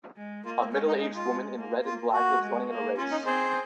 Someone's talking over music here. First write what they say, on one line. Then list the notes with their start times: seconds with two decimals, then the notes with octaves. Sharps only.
A middleaged woman in red and black is running in a race.
0.17 G#3
0.45 A#3 F4
0.59 C4
0.73 G#3 C#4
0.87 D#4
1.01 D#4
1.15 F4
1.29 G#3
1.57 A#3
1.85 F4
2.13 A#3 F#4
2.42 G#3
2.70 A#3
2.98 C#4 F4
3.11 D#4
3.25 C4 G#4 C5